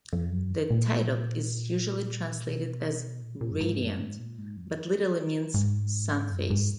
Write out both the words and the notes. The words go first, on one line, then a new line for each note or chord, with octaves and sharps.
The title is usually translated as "radiant" but literally means "sun-faced".
F2
F#2
A#2
B2
A#2
A#2
F#2
G#2
F#2
G#2
A#2
G#2
F2
G#2
F#2
G#2